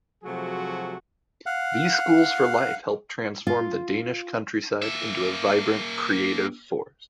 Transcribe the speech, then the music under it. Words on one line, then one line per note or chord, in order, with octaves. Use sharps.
These schools for life helped transform the Danish countryside into a vibrant, creative force.
C3 F3 F#3 A3 F#4 G#4
F5 F#5
F4
A#3 E5